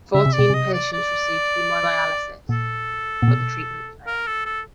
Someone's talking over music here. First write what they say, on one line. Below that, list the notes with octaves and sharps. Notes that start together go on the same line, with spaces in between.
Fourteen patients received hemodialysis, but the treatment failed.
C#3 E5
C3
D5
B2
C3 D#5
D5
D5
A#2 A4
A#2
B2
A#4
A4
A4